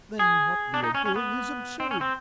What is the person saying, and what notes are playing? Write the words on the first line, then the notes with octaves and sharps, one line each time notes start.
"Then what we are doing is absurd!"
G#4
D4
D#4
C#4
C#4
B3
C4
C#4
C4